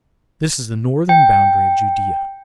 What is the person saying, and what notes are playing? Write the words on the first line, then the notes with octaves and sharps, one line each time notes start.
This is the northern boundary of Judea.
G5